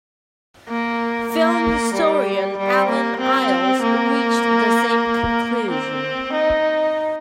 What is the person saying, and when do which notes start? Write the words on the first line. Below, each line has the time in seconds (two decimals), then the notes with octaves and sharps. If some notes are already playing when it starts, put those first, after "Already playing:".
Film historian Allen Eyles reached the same conclusion.
0.69 A#3
1.32 A#3
1.95 G3
2.57 G3
2.89 A#3
3.20 C4
3.82 A#3
5.71 C4
6.33 D#4